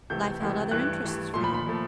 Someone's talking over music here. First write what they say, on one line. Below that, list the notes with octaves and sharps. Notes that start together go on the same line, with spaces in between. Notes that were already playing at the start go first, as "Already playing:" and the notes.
Life held other interests for you.
C#2 C3 E3 A3 G6
C#2 C3 E3 A3
G2 E3 A3 F#6
G2 E3 A3
A#2 F3 A3 C6
B5
B5
A#2 F3 A3